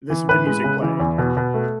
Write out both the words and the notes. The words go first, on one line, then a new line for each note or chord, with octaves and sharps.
this the music playing,
E3
A2 B4
G#3
C#3
E3
E2
B2
B2
A3